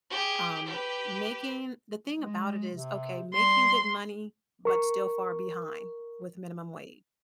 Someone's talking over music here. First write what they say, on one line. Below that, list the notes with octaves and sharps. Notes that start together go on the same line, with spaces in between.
Um, making the thing about it is, okay, making good money, but still far behind with minimum wage.
G4 G#4
G4 B4
G#3
C3
G3 C6
A#4 C#6